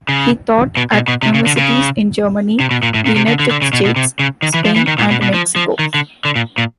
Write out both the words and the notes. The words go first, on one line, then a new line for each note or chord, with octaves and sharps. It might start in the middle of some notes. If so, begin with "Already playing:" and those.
He taught at universities in Germany, the United States, Spain, and Mexico.
C#3
B2
B2
B2
C3
C#3
D3
C#3
C3
B2
A#2
A2
A#2
C3
D3
D3
D3
C#3
B2
B2
C3
C#3
D#3
E3
F3
E3
D#3
A#2
B2
B2
F3
F3
D#3
D3
D3
A#2
A#2